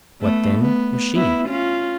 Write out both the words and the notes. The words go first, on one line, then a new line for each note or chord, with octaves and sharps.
What, then, was she?
A3 B3
B3
B3 E4
C#4 F4